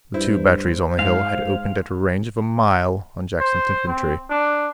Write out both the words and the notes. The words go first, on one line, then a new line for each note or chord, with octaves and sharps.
The two batteries on the hill had opened at a range of a mile on Jackson's infantry.
G2 E4 C5
G#2 G#3 F5
C5
C4
D4